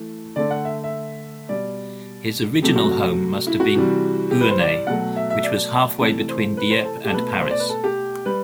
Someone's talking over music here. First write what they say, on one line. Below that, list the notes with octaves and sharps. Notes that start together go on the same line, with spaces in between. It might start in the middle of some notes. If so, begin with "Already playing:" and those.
His original home must have been Gournay, which was half-way between Dieppe and Paris.
Already playing: E3 A3
D3 A3 D5
F#5
E5
E5
B2 G3 D5
C3 F#3 A3 G4
F#4
E4
F#4
C3 E3 G3
G4
B4
C5
D5
B2 F#3 A3 F#5
E5
E5
D5
C3 E3 A3
C5
B4
C5
A4
G4 A4
B2 A3 B4
C5
D5
B4
A4
G4
G3 B4